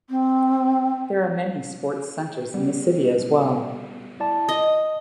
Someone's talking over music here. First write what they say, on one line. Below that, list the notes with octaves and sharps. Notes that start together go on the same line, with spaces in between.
There are many sports centres in the city as well.
C4
G3 B3
E4 D5 A5
D#5 D#6